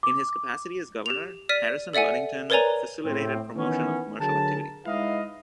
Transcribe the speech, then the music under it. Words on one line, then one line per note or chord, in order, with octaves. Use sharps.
In his capacity as governor, Harrison Ludington facilitated promotion of commercial activity.
D6
G4 F7
D5 F6 B6 D#7
A4 D5 E5 F#5 G#5
A#4 B4 C#5 D5 G#5 A#5
A2 C4
D#3 E3 B3 C#4
D3 F#3 G#4 A#4 A5
G#3 D#4 E4 B4 D#5 F5